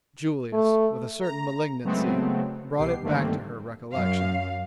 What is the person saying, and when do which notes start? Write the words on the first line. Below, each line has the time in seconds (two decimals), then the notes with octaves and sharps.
Julius, with a certain malignancy, brought it back to her recollection.
0.53 A3
1.20 A#5
1.84 C#3 F#3 G#3 A3 B3 C4
2.77 C2 B2 G4 C7
3.02 G2 D3 D#3 A3 A#3 C4
3.91 F#2 F5